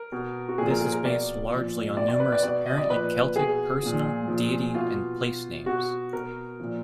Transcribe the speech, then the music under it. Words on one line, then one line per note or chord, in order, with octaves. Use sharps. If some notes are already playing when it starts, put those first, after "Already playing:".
This is based largely on numerous apparently Celtic personal, deity, and place names.
Already playing: A#4
B2
F#4
A#2 F3 G#4
A#4
G#4
A#4
B2 D5
A#2 F3
B2 D5
D5
B4
D5
B2 D5
D#5
D5
A#2 F3 B4
B2 G#4
A#2 F3
A#2 F3
B2 F4
B2
B2 F#4
B2 A#4
A#2 F3